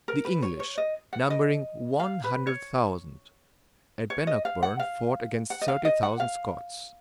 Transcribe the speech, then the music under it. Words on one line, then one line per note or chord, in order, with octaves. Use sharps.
The English, numbering one hundred thousand, at Bannockburn fought against thirty thousand Scots.
A#4
B4
C#5
C#5
D#5
F#5
D#5
F5
B4
C#5
C#5
D#5
F5
F#5
F5
F#5
D#5
F5
D#5
F#5
F5